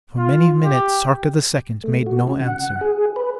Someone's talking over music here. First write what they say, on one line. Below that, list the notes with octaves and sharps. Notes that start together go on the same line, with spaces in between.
For many minutes Sarka the Second made no answer.
F4
G4
A3
F#4
C#3
F#5
G#4
B4